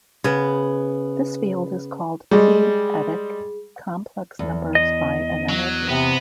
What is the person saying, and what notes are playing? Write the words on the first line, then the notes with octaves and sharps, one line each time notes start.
This field is called "p"-adic complex numbers by analogy.
C#3 B3
G3 G#3 G#4
E2
D#5
F#3
C3 B3